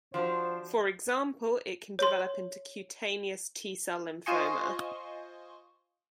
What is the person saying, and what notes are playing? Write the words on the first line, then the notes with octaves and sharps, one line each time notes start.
For example, it can develop into cutaneous T-cell lymphoma.
F3 D4 F#4 C5
C#5 C6
F4 C5 D#5 G#5 C#6